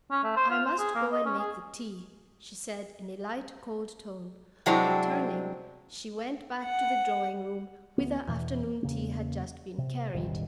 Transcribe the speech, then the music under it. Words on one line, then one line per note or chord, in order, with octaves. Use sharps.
"I must go and make the tea," she said, in a light, cold tone, and turning, she went back to the drawing-room, whither afternoon tea had just been carried.
C#4
A3
C5
F4
C5
G#4
A#3
D#5
C#4
G#4
C3 F#3 G#3 C4 D4 E4
F#5
D2 B3
E2 B2 E3
E2 C#3 A#3
C3
E1 A1 D#3 G3